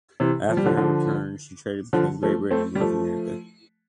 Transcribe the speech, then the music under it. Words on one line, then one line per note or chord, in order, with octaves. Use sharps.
After her return she traded between Great Britain and North America.
C3 E3
F3
G3
D3 F3
D3 F3
D3 F3
F3 A3
A3 C4
G3
F3 A3